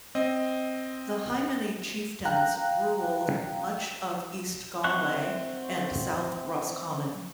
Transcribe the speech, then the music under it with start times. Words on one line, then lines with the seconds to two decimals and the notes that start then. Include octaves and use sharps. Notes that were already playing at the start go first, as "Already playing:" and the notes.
The Hymany chieftains ruled much of East Galway and South Roscommon.
0.15 C4 D#5
2.25 F5 G5 A#5 F#6
4.84 C4 E5 F#5 C#6 F#6